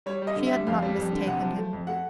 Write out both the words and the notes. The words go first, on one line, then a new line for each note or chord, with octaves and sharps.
She had not mistaken him.
G3 C#5
G3
D#5
D3
E5
G3
F2 F5
G3
F2
D3
C3 F#5
F3
A3
F2
A3 F#5